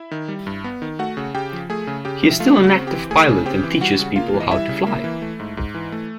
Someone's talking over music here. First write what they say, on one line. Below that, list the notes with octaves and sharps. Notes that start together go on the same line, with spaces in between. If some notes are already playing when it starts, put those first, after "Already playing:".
He is still an active pilot and teaches people how to fly.
Already playing: E4 E5
D#3
G3
G2
B3
D#3
A3 F#4 F#5
C#3
C#3 G4 G5
F3
A3 G#4 G#5
C#3
C#3 G4 G5
F3
E5
A3 F4 F5
C#3
F#4 F#5
C4
G4 G5
E3
A3 G#4 G#5
C#3
C4 G4 G5
E3
G3 F#4 F#5
C#3
A#3 F4 F5
E3
D#5
G3 E4 E5
C#3
A#3
E3
A3
G#2
G#2
E3
A3